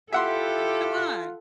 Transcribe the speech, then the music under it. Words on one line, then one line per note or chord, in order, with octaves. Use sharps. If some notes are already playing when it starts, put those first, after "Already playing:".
Like, come on."
E4 F4 G4 A4 E5 F#5 C6